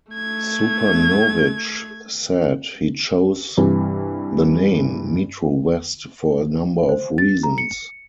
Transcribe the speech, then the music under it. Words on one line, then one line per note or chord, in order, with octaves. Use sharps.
Supernovich said he chose the name, MetroWest, for a number of reasons.
A3 G#6
G2 C3 E3 G3
C5
A6
A#5
C#7